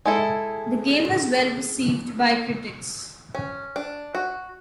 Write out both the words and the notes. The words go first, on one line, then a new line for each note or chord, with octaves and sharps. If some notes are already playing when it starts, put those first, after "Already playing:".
The game was well received by critics.
G#3 E4 A4
C#4
D4
F#4